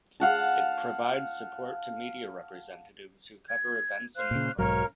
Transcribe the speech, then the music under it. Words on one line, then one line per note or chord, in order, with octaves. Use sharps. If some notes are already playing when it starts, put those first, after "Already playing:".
It provides support to media representatives who cover events in Ukraine.
F5 F#5 A5
G#6
C5 F5 F#6
A#2 C#3
B1 G#2 F#3 A#4 C#5 F5